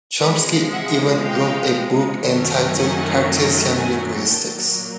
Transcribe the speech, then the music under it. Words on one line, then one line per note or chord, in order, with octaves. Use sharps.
Chomsky even wrote a book entitled "Cartesian Linguistics".
C3 F3 G#3 B4 C#5
E5 F#5
F5 G5
F#2 D#3 F#3 A3 C#4
F#5 G#5
F#5 G#5
A#2 F#3 A#3 G5 A5